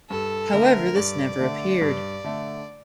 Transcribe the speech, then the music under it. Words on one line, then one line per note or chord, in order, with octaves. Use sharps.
However this never appeared.
G2 A4
D3 A3 A#4
G2 D5
D3 A3
G2
D3 A3